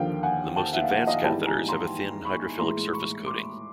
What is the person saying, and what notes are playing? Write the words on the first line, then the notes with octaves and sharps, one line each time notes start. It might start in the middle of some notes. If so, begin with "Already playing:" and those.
The most advanced catheters have a thin hydrophilic surface coating.
Already playing: D#2 D3 F3 A#3 F5 G5
F#5 G#5
G5 A5
E5 F#5
F5
E5 F#5
D#5 F5
G#2 E3 G3 B3 G5 A5
G#5 A#5
A#5 C6
B5 C#6
A2 E3 G#3 A#5 C6
B5 C#6
C6 D6